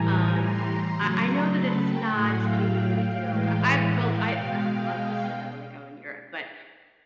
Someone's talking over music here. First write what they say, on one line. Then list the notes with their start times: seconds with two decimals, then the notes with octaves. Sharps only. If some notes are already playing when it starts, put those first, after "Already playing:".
um, I I know that it's not the you know, I I have well, I I have a lot of places that I wanna go in Europe, but
Already playing: A2 E3 G3 G#5 A#5
0.40 A#5 C6
0.97 C#3 F#3 A3
1.53 A5 B5
1.81 G5 A5
2.10 A2 F#3 A3 F#5 G#5
2.38 F5 G5
2.66 F5 G5
2.93 F5 G5
3.23 A2 E3 G#3
3.78 E5 F#5
4.06 F5 G5
4.35 B2 G#3